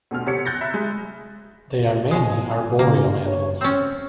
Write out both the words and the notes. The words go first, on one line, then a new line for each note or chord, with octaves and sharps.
They are mainly arboreal animals.
D2 B2 C4 F6
C3 C#5 C#7
F#6 G6 A6 A#6 C#7
E5 A#5 B5
G#3
B2 G#3 G#5
C#3 A#3
C#5
C4 C#4 C#5